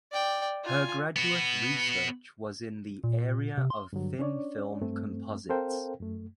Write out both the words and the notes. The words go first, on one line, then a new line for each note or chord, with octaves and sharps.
Her graduate research was in the area of thin film composites.
D5 G5
F4 G#5
B3 F#4
A#2
C3
C6
G2 D3 F#3
C#4 D4 C#5 D5
G2 A3 C4
C4 A4 A#4 C5 F5 G5
F#2 A3